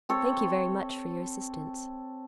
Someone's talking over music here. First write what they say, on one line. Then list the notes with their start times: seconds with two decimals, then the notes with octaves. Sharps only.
Thank you, very much, for your assistance.
0.09 C4 A4 C#5